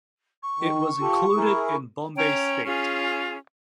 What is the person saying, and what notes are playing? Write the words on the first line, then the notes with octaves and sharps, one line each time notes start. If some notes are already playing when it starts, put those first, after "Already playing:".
It was included in Bombay state.
C#6
D#3
F4 G4 A4
E4 G#4 A#4
C#4 C#5 G5 A#5
C#4 F4 G#4